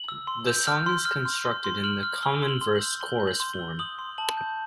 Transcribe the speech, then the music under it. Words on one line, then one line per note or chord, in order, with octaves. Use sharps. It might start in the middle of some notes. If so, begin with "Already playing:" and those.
The song is constructed in the common verse-chorus form.
Already playing: F#7
E6
C6
G6
F6
C6
F6
C6
C6
C6
F6 F#7
F6
E6 G7
C6
F#7
C6
F#7
G6
C6 G7
G6
F#7
C6
G7
E6
D#6 F#7
C6
A5 F#7
G6